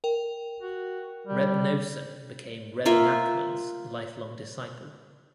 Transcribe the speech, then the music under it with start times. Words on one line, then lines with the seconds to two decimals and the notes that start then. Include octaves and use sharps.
Reb Noson became Rebbe Nachman's lifelong disciple.
0.04 A#4 G5
0.62 F#4
1.27 G3
2.86 A#3 F4 E5